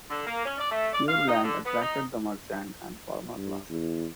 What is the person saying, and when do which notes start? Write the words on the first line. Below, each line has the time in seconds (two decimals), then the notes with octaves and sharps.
Pure Land attracted the merchant and farmer classes.
0.10 D3
0.26 A#3
0.46 C#4
0.59 D5
0.71 A3
0.93 D5
1.08 F5
1.27 D#4
1.43 D3
1.65 B3
1.82 D#4
3.36 G2
3.70 E2